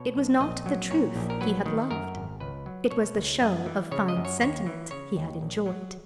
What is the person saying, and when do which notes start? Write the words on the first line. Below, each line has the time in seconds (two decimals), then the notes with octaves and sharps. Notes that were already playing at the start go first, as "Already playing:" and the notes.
It was not the truth he had loved; it was the show of fine sentiment he had enjoyed.
Already playing: B2 C#5
0.15 B1
0.41 A#1 D#5
0.66 F#3
0.91 A#2 C#5
1.16 A#1
1.30 A#4
1.41 F#3 B4
1.66 D#3
1.91 F#2 A#4
2.16 G#1
2.40 C#2 B4
2.66 F#3
2.91 B2 C#5
3.16 C#2
3.41 F#2 D#5
3.66 E3
3.91 C#3 C#5
4.08 D#5
4.16 F#2
4.25 C#5
4.41 D#2 C#5
4.66 E3
4.91 C#3 C#5
5.16 D#2
5.41 A#1
5.66 F#3